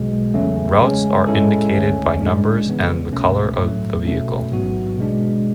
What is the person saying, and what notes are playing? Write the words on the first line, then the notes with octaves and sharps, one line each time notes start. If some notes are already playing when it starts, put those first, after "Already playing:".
Routes are indicated by numbers and the colour of the vehicle.
Already playing: B1 B2 G#3
E2 C#3 F#3 A3 C#4
C#3 G#3 C#4
A2 G#3 C#4 E4 A4
D2 D3 A3 C#4
A2 G#3 D4
C#3 E3 B3
C#2 B2 A3 C#4
A2 F#3 A3
B2 A3 C#4
A1 G#2 F#3 B3 F#4
B2 G#3 D4